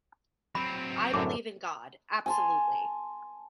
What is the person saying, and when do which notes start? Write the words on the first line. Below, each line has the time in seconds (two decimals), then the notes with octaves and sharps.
I believe in God, absolutely.
0.55 F#3 C4 B5
1.14 F#2 A2 D3 D6
2.26 G#5 A5 C6